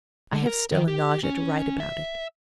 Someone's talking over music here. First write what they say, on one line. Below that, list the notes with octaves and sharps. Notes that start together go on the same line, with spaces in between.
I have still a nausea to write about it!
D3
A#4
D#3
G4
C#4
E5